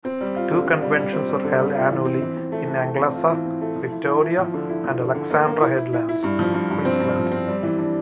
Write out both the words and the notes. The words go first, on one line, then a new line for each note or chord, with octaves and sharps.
Two conventions are held annually in Anglesea, Victoria and Alexandra Headlands, Queensland.
C4
G3
F4
D3
D3
G3
G3
C4
G3
D3
G3
F4
E3
C4
E3
C4
A3
A3
A3
C4
F4
E3
C4
A3
F3
E4
E4
E4
F3
D3
E4
F3
D3
D3
A#3
A#3
E4
E4
E4
E4
G2
F3
G2
G2
C4
G2
F3
C4
G3
E3
D4